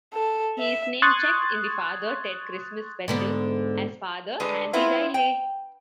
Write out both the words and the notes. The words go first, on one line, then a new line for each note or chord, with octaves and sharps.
He is namechecked in the "Father Ted Christmas Special" as 'Father Andy Riley'.
A4
E5
C6 C#6 D#6 F#6 G#6 A6
G#2 D3 B3
D3 G#3 B4
G#3 B3 C4 E4 F4 B4
G5